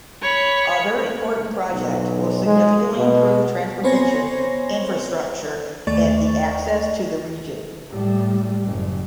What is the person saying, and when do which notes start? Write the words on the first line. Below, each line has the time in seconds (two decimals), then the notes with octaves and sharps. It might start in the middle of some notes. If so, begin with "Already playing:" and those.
Other important project will significantly improve transportation infrastructure and the access to the region.
0.22 C#5 B5
1.73 B1
2.46 G#3
2.97 B2
3.84 B3 C4 C5 C#5 G#5 A#6
5.87 D#2 A3 D5 C#6 A6
7.90 A2 G3
8.64 F#1